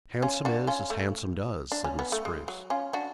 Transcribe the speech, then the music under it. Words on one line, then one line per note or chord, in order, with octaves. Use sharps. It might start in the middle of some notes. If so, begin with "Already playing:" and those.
"Handsome is as handsome does," said Miss Spruce.
C#4 F4
D4 F#4
C#4 F4
A3
D4
C#4
B3
A3
G#3
F#3
C#4 F4
D4 F#4